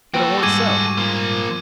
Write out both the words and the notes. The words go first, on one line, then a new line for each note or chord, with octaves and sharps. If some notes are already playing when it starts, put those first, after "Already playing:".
But it warn't so.
A#3 F#4 A4 B4 G5
G#2 G3 G#4 D6 G#6 D#7
F3 A#3